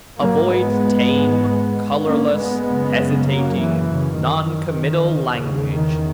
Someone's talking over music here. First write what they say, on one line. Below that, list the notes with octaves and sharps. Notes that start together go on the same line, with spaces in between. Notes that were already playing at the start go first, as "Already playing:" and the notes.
Avoid tame, colorless, hesitating, non-committal language.
G#2 F#3 A#3
G#3 B3
A#3 C#4
G#3 B3
F#2 C#3
F#3 A#3
C#3 E3
C#3
D#3
E2 C#3
D#3